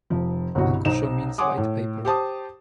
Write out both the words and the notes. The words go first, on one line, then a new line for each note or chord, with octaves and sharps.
"Hakusho" means "white paper".
F1 F3
G1 C2 B2 F#4
B1 D#4 C5 E7
C#5 F#5 G#5 C6 D6 D#6
A2
G4 C5 A5 D#6